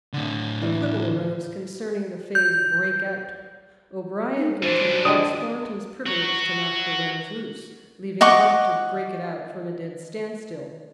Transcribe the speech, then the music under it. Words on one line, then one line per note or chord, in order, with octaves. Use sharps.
A quibble arose concerning the phrase "break out." O'Brien contended it was Thornton's privilege to knock the runners loose, leaving Buck to "break it out" from a dead standstill.
A2 D3
E3
G6
D#4
E3 D4 C5
D3 G3 G#3 D#6
F#4 C#5
D#5 F#5 C#6 D6